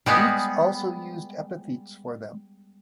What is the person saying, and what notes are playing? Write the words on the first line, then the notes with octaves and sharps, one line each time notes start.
Greeks also used epithets for them.
G3 G#3 B3